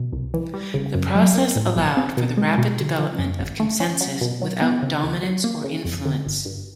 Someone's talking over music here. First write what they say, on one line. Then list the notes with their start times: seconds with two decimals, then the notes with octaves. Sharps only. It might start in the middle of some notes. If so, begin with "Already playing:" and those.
The process allowed for the rapid development of consensus without dominance or influence.
Already playing: B2
0.13 C2
0.34 E3
0.54 G3
0.74 C#3
0.95 F#2
1.15 F#3
1.35 A#3
1.56 A2
1.76 B1
1.97 C4
2.17 B2
2.37 G#3
2.58 B2
2.79 D3
2.99 F3
3.19 F#2
3.40 G#1
3.60 A3
3.80 C#4
4.01 F#3
4.21 B2
4.42 F#3
4.62 B3
4.83 C#3
5.04 D#2
5.23 F#3
5.44 A#3
5.64 C#3
5.85 F2
6.05 D3
6.25 G1
6.45 G2